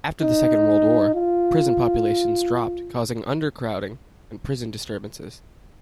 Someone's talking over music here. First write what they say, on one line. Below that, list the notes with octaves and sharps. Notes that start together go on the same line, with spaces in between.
After the Second World War, prison populations dropped, causing undercrowding and prison disturbances.
D#4
F4